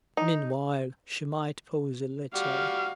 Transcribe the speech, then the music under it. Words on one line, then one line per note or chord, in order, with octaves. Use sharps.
Meanwhile she might pause a little.
D#4
G3 F#4 F5